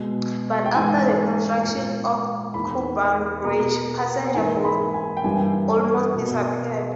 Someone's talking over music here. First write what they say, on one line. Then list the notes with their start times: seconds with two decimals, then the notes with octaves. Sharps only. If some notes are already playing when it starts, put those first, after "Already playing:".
But after the construction of Kuppam Bridge, passenger boats almost disappeared.
Already playing: B2 G#3
0.66 G5
0.74 G#2 E3 G#3 G#5
1.64 A#2 G#3
2.54 E2 D#3 A#3 B5
3.44 B2 A#3 A#5
4.34 G#2 E3 A#3 G#5
4.65 B5
4.94 G#5
5.17 G5
5.24 G2 E3 G3 A#3 G#5
6.14 B2 A#3